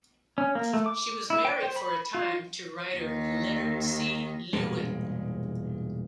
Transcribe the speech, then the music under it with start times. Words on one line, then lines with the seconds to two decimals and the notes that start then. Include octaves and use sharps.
She was married for a time to writer Leonard C. Lewin.
0.38 C#4
0.55 A#3
0.74 A3
0.86 D6
1.30 E4
1.45 G5
1.63 C5
1.76 B5
2.14 F4
2.95 D#2 D#3
4.53 E1 G2 A#2 G#3